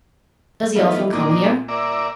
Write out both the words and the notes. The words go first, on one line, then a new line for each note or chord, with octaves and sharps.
"Does he often come here?"
F3 A3 B3 D#4 E4
A#2 A#3 D4 D#4
A#4 D5 E5